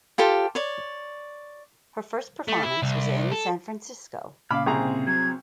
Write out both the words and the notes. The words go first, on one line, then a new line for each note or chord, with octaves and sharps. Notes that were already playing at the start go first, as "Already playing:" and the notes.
Her first performance was in San Francisco.
F4 G4 A4 C5
C#5 D5
A3
E4
C2
A4
A#2 C#3 F5 B5 D6 F6
C2 C4 G#4 A#5
F#3 G#6